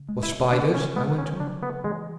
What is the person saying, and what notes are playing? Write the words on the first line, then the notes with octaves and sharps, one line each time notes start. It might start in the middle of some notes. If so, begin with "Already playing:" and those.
"Or spiders?" I went on.
Already playing: C#3
G#3
E4
C#3 D4
C#4
G#3 B3
C#4
C#3 D4
B3
E3 G#3